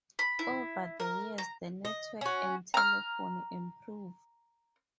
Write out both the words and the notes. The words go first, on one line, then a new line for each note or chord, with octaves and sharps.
Over the years, the network and telephony improved.
B5
E4
A#4
A#5
D#5
C#4 F#4
A#5 F6